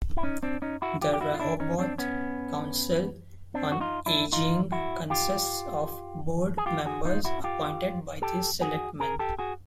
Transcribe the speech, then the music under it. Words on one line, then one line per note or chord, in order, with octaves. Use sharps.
The Rehoboth Council on Aging consists of board members appointed by the selectmen.
E4
C#4 D#4
C4 D4
C#4 D#4
E4 F#4
F4 G4
G4
E4 F#4
F4
D4 E4
C#4 D#4
C4 D4
B3 C#4
C4 D4
F#4
D#4 F4
D4 E4
D#4 F4
E4 F#4
F4 G4
G#4
F4 G4
F#4 G#4
D#4 F4
E4 F#4
F4 G4
G4 A4
F#4 G#4
G#4 A#4
G4 A4
F#4 G#4